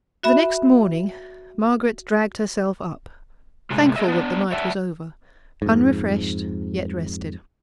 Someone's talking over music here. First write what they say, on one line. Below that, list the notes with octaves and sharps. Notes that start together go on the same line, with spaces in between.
The next morning, Margaret dragged herself up, thankful that the night was over,--unrefreshed, yet rested.
F#4 E5 B5
A2 C3 G#3
G#4 D#5 E5
B3 D4
C#5 D5 E5 F#5 A5
F2 G#2